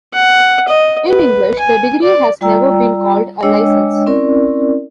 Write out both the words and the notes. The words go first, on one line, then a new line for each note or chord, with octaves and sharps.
In English, the degree has never been called a license.
F#5
D#5
B4
G#5
D5
G3 F4 D5 G5 A#5 E6
G#3 D4 C#5 D#5 G5 E6
C4 C#4 E4 A#4 D5